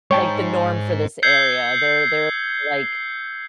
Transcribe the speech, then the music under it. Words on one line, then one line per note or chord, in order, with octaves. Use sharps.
like the norm for this area. They're they're, like
G#2 C#5 G5 A5
E6 G6 G#6 C7 C#7 G7